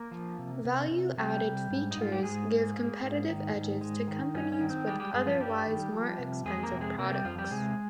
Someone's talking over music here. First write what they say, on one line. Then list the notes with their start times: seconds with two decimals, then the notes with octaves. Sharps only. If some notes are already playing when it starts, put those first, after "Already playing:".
Value-added features give competitive edges to companies with otherwise more expensive products.
Already playing: A#3 A#4
0.11 F3
0.39 C3
0.65 C3
0.91 C3
1.17 C3 G3 G4
1.44 C3
1.70 G#2
1.91 D#4
1.97 G#2 F4
2.12 G4
2.23 G#2 G#3 G#4
2.49 A#3
2.76 A#3
3.02 G#2
3.29 D#3
3.55 G#2
3.81 G#3
4.08 D#3
4.34 G2 C#4
4.52 C#4
4.61 D#3
4.69 C4
4.87 G3 G#3 G4
5.00 G3 G4
5.14 G2 G#3 G#4
5.26 F3 F4
5.40 G2 G3 G4
5.66 D#3
5.92 F3
6.19 C3
6.45 F2 G#3 G#4
6.63 A#3 A#4
6.72 C3
6.81 G#3 G#4
6.99 C3 A#3 A#4
7.11 G3 G4
7.25 F2 F3 F4
7.38 G3 G4
7.50 C3 G#3 G#4